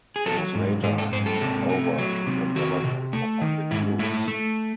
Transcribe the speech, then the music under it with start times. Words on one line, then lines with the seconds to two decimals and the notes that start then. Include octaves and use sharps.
It was later handed over to the government for public use.
0.16 G#4
0.26 F#3 A4
0.55 G#2
0.83 G#2 G#4
0.98 A4
1.12 G#2 C5
1.26 A4
1.42 C3
1.69 A3
1.99 F#3
2.27 C3
2.56 D#3 F#4
2.84 C3
3.13 A3
3.41 D#3
3.71 G#2 E4
3.99 A3 E4
4.28 A3